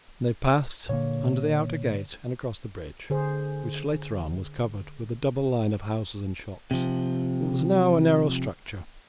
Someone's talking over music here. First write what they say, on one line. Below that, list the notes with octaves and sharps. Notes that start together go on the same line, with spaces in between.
They passed under the outer gate and across the bridge, which later on was covered with a double line of houses and shops, but was now a narrow structure.
A#2 D3 A#3 C#5
D3 G#4 C5
C3 F3